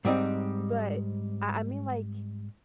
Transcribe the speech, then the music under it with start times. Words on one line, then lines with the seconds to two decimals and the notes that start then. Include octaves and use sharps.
But I I mean, like
0.05 G#2 G3 C4 D#4